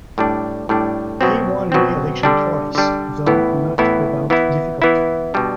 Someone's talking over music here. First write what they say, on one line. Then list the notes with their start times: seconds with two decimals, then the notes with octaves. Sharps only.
He won re-election twice, though not without difficulty.
0.18 A2 G3 D4
0.69 A2 G3 D4
1.21 B2 F#3 C4
1.72 B2 F#3 C4
2.23 D3 G3 D4
2.75 D3 G3 D4
3.26 A2 E3 B3 E4
3.78 A2 E3 B3 E4
4.30 E3 B3 E4
4.82 E3 B3 E4
5.34 B2 G3 D4